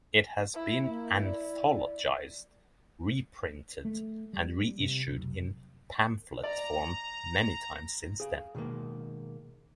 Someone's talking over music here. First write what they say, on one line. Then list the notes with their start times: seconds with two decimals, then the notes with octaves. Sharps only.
It has been anthologized, reprinted, and reissued in pamphlet form many times since then.
0.54 E4
0.85 A#3 E4
1.24 D5
3.85 A3
4.33 G3
4.79 C3
5.08 F1 B1
6.43 D5 A#5
8.20 G#4 F5
8.55 B2 D#3 G#3 A#3